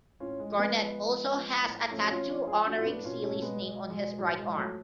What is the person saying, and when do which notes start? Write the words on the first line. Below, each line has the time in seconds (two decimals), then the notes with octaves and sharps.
Garnett also has a tattoo honoring Sealy's name on his right arm.
0.20 A2 C#4 F4
0.39 G#3
0.50 F3
0.59 G#3 B3
0.78 F3
1.06 F3
1.35 F3
1.62 A2
1.91 F3 A3 C#4
2.03 F#4
2.09 C#4 F4
2.19 F3
2.29 C#4 F4
2.47 F3 F4 G#4
2.66 D4 F#4
2.76 A2 F4
2.86 B3 D4
3.04 B2 C#4 F4
3.24 A3 C#4
3.33 B2
3.42 G#3 B3
3.61 B2 G#3
3.90 B2 G#3
4.18 A2 F#3
4.37 G#3
4.47 F3
4.56 F#3 A3